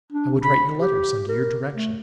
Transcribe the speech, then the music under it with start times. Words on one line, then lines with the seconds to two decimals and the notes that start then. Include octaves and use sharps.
I would write your letters, under your direction.
0.12 D4
0.44 B5
0.79 G4
1.29 A#4
1.74 A3